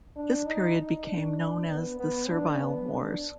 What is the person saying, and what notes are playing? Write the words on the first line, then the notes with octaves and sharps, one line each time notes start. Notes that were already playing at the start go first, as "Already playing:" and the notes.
This period became known as the Servile Wars.
D4
D#4
D#4
D4
D4
B3
B3
D4
B3
D4